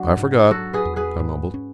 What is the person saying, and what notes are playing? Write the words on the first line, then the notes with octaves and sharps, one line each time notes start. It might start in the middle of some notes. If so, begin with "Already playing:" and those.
"I forgot," I mumbled.
Already playing: F#3 D4 F#4
G#2
F#3 F#4 A4
G#4 B4
E2
G#4 B4
G#2
C#4